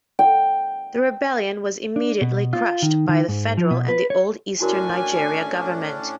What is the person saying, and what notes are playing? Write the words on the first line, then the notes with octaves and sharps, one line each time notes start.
The rebellion was immediately crushed by the Federal and the old Eastern Nigeria government.
G5
D4
B2
F4
D#3
D#3
G#2
F3
B2
B4
C#5
A2 C#4 D4 E4 F#4 A#4 G#5